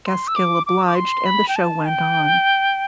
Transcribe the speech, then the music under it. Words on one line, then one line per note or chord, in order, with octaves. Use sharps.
Gaskill obliged and the show went on.
C6
E6
D6
D6
D6
C6
B5
G5
A5
G5